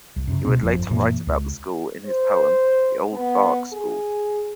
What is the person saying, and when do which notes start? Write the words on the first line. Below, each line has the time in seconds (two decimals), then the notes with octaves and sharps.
He would later write about the school in his poem, "The Old Bark School".
0.16 C2
0.27 F#2 C#3
0.45 D2 B2 A#3 C4
0.63 G1 F2 F3
0.90 F#2 A#2 E3 A#3
1.27 C#2
2.06 C5
3.13 B3
3.73 G#4